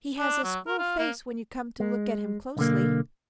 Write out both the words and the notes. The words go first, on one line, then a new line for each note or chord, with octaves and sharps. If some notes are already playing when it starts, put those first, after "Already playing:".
He has a Squirrel face when you come to look at him closely.
D4
F#3
A#4
F4
A#3
G#3
B1 D3 A#3